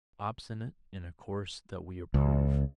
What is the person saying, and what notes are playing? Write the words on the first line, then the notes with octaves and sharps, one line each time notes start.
Obstinate in a course that we approve.
C#2